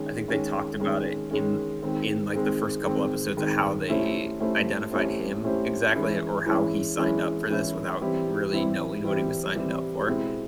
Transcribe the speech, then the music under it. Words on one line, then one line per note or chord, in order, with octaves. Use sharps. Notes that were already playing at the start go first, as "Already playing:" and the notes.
I think they talked about it in in, like, the first couple episodes of how they identified him exactly or how he signed up for this without really knowing what he was signing up for.
Already playing: D#3 G#3 C#4
D#3 G#3 C#4
D#3 G#3 C#4
D#3 G#3 C#4
D#3 G#3 C4
D#3 G#3 C4
D#3 G#3 C4
D#3 G#3 C4
A3 C#4 E4 G4 C5
A3 C#4 E4 G4 C5
A3 C#4 E4 G4 C5
A3 C#4 E4 G4 C5
E3 G#3 C#4 E4
E3 G#3 C#4 E4
E3 G#3 C#4 E4
E3 G#3 C#4 E4
E3 G3 C4 E4 G4
E3 G3 C4 E4 G4
E3 G3 C4 E4 G4
E3 G3 C4 E4 G4
B2 G#3 C4 E4